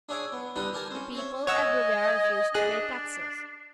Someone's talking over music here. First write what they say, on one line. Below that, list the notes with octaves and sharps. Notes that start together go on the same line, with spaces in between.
The people everywhere refused to pay taxes.
D4 G#4 C#5 E5 G#5 D6
B3
D3 G3 D4 D#4 G4 B4
G4 A#4 G#5 A5
C4 C#4
C4 C#5 E5
C#5 D#5 F#5 G#5 E6
D4 G#4 F#6